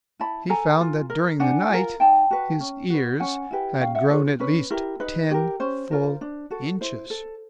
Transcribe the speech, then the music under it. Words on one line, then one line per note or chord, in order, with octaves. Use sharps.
He found that, during the night, his ears had grown at least ten full inches!
E4 A5 B5
A4 G#5 A#5
F4
A#4
D4 F#5 G#5
F4 A#4
D#4 G5 A5
F#4 B4
C#4
F#4 B4
C#4 F#5 G#5
E4 G4 B4
C#4 F5 G5
E5 F#5
F4 G#4 B4 C#5
C#4 B4
E4 G4 A#4
D#4 B4
G4 A#4
C#4 C5
F4 A#4
D4
F#4 A4
E4 C5
A4